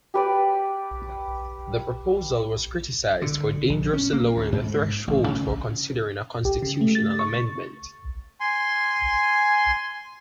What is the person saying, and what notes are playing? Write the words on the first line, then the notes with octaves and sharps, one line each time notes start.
The proposal was criticized for dangerously lowering the threshold for considering a constitutional amendment.
G4 B4 D5
D3
A#1
C#4
A#3
D2
G#2
A1
C#3
G4
C#3
A3
A6
C#6
G#5 C6